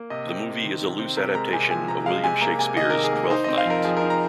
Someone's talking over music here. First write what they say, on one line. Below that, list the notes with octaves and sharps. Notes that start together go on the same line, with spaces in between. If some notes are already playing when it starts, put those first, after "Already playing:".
The movie is a loose adaptation of William Shakespeare's "Twelfth Night".
Already playing: A#3
C3 D#5
C4
C3
D#3
C3
C4
C3 A#4
G#3 A#5
C3 G#5
F3 G#5
C3 A#5
G#3 F5
C3 G#5
A#3 A#5
C3 G#5
D#3 D#5
A#4
C3
G#4
A#3
D#4 C5
C4 D#5
F5
F2 A#4
F3 G#4
A#4
D#4
A#5